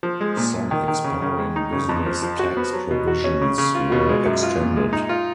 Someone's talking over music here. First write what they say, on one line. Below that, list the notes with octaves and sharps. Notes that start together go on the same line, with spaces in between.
Some expiring business tax provisions were extended.
F3
G#3
A#2
A#2
D#3
D#3
C#3
C#3
G#3
D#4
C#3
F2
F3
F3
F#4
B3
F#3
B2
F#4
C#4
C#3
C#3
F4
B2
G#3
F#2
F4
A#2
G#3
D#4
F4